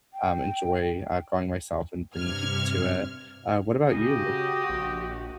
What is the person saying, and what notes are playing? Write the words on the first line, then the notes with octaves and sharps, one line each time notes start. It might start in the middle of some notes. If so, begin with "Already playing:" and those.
um, enjoy, uh, going myself and bringing people to it. Uh, what about you b
G5
G2 C3 F6 G#6
C#3 F#4 G4 D#5
A#1